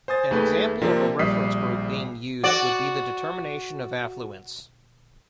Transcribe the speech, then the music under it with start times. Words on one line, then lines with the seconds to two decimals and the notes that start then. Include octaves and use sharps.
An example of a reference group being used would be the determination of affluence.
0.08 C5 G#5 D#6 A6
0.31 D#2 A3 G#4 B4 G6
0.82 C3 F3 A#3 C4 D4 A#4
1.19 A#1 G3 D#6 B6 C7
2.44 F#4 D5